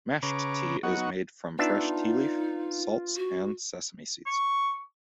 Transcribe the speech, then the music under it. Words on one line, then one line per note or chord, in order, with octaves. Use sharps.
Mashed Tea is made from fresh tea leaf, salts, and sesame seeds.
C#3 B4 C#5 A#5 D6
F#3 B3 D#4 F#4 F#5 C#6
B3 D4 D#4 F4 E5
F#4
C#6